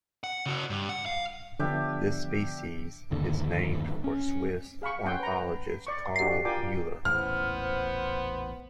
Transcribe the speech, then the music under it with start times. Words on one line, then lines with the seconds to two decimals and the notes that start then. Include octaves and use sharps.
This species is named for the Swiss ornithologist Carl Euler.
0.24 F#5
0.46 C#3 F#4
0.70 G2
0.89 F#5
1.06 F5
1.59 D3 F3 B3 D4 G4 E5
3.11 G1 D#2 D3
4.04 C#4
4.82 G#4 F5 B5 C#6
5.06 C#4 F#5 G5 C6
5.20 B4 A#5
5.87 D5 C#6
6.20 D4 F#4 G4
6.45 F4 A#4 D5 G5 G#5 D6
7.05 A1 E2 A#2 B3 C5 F6